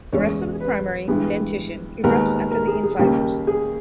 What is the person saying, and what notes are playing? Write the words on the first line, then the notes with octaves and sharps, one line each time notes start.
The rest of the primary dentition erupts after the incisors.
E2 C#3 G#3 C#5
B4
G2 E3 G#3 B3
D#2 D#3 G#3 B3 A#4
A#4
G#4
G#4
D#2 C#3 G3 A#3 G4
G#4